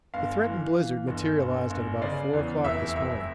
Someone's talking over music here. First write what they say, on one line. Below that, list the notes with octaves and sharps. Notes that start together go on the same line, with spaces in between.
The threatened blizzard materialised at about four o'clock this morning.
G1 F5
E3
E3
G1
G1
G1
C#3 D5
E2
F1 E5
F1 E5